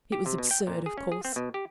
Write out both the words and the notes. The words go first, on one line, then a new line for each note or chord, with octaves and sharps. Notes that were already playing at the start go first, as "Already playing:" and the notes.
It was absurd, of course.
G4
C3
B2
G5
A#2
G#4
C#4
G#4
C4
B2
G4